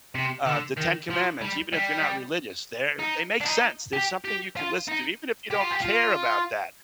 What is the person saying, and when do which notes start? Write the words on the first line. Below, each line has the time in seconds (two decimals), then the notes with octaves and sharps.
uh, The Ten Commandments, even if you're not religious, they're they make sense. There's something you can listen to, even if you don't care about that.
0.15 C3
0.47 D3
0.78 D#3
1.10 F3
1.41 G3
1.73 G3
2.99 D#4
3.41 D4
3.46 D#4
3.93 G4
4.25 G4
4.56 F4
4.88 D#4
5.51 G4
5.61 F4
5.71 G4
5.82 F4